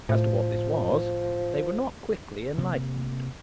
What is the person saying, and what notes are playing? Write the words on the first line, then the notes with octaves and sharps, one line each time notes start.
As to what this was, they were not quickly enlightened.
A2 F3
C3 A#3